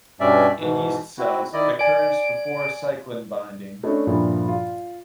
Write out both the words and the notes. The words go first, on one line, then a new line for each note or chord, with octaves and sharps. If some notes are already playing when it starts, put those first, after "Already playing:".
In yeast cells, it occurs before cyclin binding.
G2 B2 G3 C#4 D5 E5
G#2 B2 E3
C4 E4 F#4
D#3 E4 D5 D#5
D5 G#5 D7
A3 C#4 D4 E4 D#5
G2 A#2 F3 E4
F4